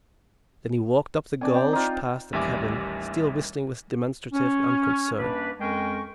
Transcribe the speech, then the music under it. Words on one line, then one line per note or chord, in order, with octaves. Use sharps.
Then he walked up the gulch past the cabin, still whistling with demonstrative unconcern.
C4 D4 D5 G#5
G5
D#4 F4
A1 D#2 G3 E5 G#5 D6
C#4
F#2 G3 A#3 D4 B4
F2 G#3 C#4 A#4 G5 C#6